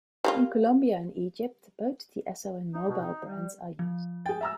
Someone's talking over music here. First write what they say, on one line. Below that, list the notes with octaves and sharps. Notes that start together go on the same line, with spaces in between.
In Colombia and Egypt, both the Esso and Mobil brands are used.
G3 A#3 F4
D#4
B2
D#4
G3
F3
G#4 G5 A6
E5 A#5 E6